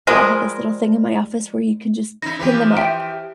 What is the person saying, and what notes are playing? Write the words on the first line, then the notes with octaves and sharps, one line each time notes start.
I have this little thing in my office where you can just pin them up.
F3 G3 G#3 A#4
D#4 E4 A#6
E3 F3 G4
E5 G5 D7